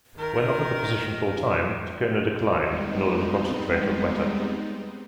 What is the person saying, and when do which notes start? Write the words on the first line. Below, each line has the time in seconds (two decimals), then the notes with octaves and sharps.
When offered the position full-time, Tokona declined in order to concentrate on Weta.
0.16 D#3 A#4
2.55 G3 G#3 B3 C4 D#4